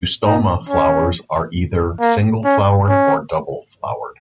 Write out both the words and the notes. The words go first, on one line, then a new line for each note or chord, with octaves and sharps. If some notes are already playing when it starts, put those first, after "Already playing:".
"Eustoma" flowers are either single-flowered or double-flowered.
D#4
C#4
A#3
C#4
C#4